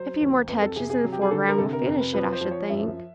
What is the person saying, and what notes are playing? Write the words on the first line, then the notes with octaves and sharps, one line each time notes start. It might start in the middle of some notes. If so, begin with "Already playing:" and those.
'A few more touches in the foreground will finish it, I should think.
Already playing: F#3 C5
D#2
F2 B4
A4
C3 G#4
G#4
F#3
G4
G#4
D3 A4
A#4
C3 A4
A#4
F2 A#4
B4
F3 B4
C5
F3
C#5
F#2 E5